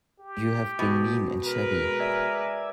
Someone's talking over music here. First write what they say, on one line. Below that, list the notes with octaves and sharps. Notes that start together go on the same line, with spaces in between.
You have been mean and shabby.
G4
B2
G#3 A#4 B4
D5 E5 G#5